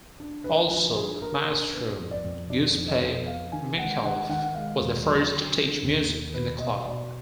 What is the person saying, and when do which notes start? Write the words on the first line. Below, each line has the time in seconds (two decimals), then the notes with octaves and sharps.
Also, Maestro Giuseppe Micallef was the first to teach music in the club.
0.20 D4
0.44 D4 B4
0.70 F3 B4
0.96 D4 G#4
1.22 A#3 A#4
1.47 D4 A#4
1.73 B3 B4
1.99 F2
2.11 D5
2.24 F2
2.50 D4 D5
2.76 F2
2.88 D#5
3.00 F2
3.26 B3 F5
3.52 D#3 G#5
3.77 G#3 F#5
4.03 D#3 F#5
4.29 D#3 F#5
4.54 G#3 F5
4.80 D#2
5.06 F#3
5.32 D3
5.58 D3
5.83 D#2
6.08 D#2
6.34 B2 B4
6.60 B2 D#5
6.86 B2 D5